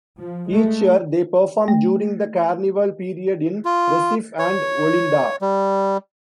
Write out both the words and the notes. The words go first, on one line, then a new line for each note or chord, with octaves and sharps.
Each year they perform during the Carnival period in Recife and Olinda.
F3
G#3 A3
A3
F4
C#5
G3